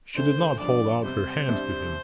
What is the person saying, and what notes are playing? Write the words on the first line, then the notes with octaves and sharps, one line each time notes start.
She did not hold out her hand to him.
D2 D3 A3 D4 C5
G2 F3 D4 D5
C3 G3 C4 C5
C2 C3 G3 D4